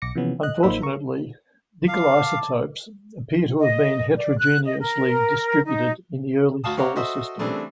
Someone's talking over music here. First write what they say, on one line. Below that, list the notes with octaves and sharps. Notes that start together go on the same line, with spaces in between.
Unfortunately, nickel isotopes appear to have been heterogeneously distributed in the early solar system.
B1 D6 A#6 C#7
C3 E3 F3 B3 C#4
D#5 F#6
A1 A#3 D#4 C5 B5 E6
A#4 A#5 C#6
F5 A5 D6
D#5
D5
F#6
D#5
A#4
D#4
D2 F#4 F5 A5 D#6
C4 G4 C#5 F5 F#5 A#5
F#4 A4 C5 D#5 E5
C#3 E3 G3 A3 C4 D4